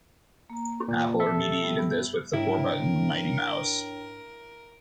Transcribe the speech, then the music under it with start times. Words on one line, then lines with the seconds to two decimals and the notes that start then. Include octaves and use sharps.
Apple remedied this with the four-button Mighty Mouse.
0.50 A#3 A#5
0.88 A#2
1.20 B2 A4 E5
1.38 G4 A6
1.62 G3 B3
1.79 G2 E3
2.33 G#2 D4 E4 A#4 C#5 G5